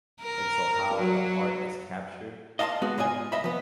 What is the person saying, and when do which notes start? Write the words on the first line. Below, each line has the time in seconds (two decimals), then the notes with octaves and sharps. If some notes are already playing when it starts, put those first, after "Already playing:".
and so how the art is captured,
0.21 A#4
0.94 F#3
2.59 D#5 F5 A5 B5 C6
2.82 G#3 B3 F#4
2.98 G#2 F4 D5 D#5 G#5
3.32 C2 D#5 E5 B5
3.44 F3 B3